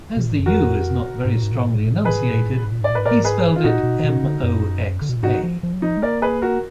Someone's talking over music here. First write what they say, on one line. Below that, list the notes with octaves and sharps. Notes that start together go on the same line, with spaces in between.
As the u is not very strongly enunciated, he spelled it "Moxa".
B2
A#2
G#2
F#2
F2 F#4 A#4
G#2
A#2
G#2
A#2
G#2
A#2
G#2
A#2
G#2
A#2 G#4 B4
G#2
A#2
G#2
A#2
G#2
A#2
G#2
A#2
G#2 D5
A#2
G#2 B4
A#2 A#4 D5
G#2
G#4 B4
F4
A#2 D#4 F#4
B2
B2
D3
F#2
D3
B2
A#2
G#2 D#4 F#4
F3
F3
F#3
F3 D#4
G#3
A#3 A#4 D5
G#4 B4
F#4 A#4